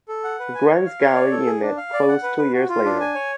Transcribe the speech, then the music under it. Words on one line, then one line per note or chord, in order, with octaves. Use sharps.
The Grimes Galley unit closed two years later.
A4
F#5
B4
G#5
C#5
F5
C#5
D5
A4
G#4
D4
F5
D5
F#5
B4
B4
F#4
F4
D4
G#5
C#5